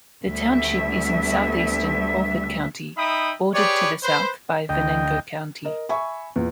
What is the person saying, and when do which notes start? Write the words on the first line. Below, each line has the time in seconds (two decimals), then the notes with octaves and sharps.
The township is in southeastern Crawford County, bordered to the south by Venango County.
0.25 D2 G3 B3 E5
2.98 D#4 E5 G5 B5 D#6
3.54 G4 G#4 B4 C#5 D5
4.03 B4 C5
4.69 D2 D#5 G5
5.65 A#4 D#5
5.89 E5 G#5 B5 C#6
6.36 E2 A#2